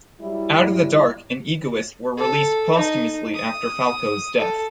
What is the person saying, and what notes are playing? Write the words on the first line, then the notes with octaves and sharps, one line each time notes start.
"Out of the Dark" and "Egoist" were released posthumously after Falco's death.
F#3 G3 E4
A4
D#4
D#6
A4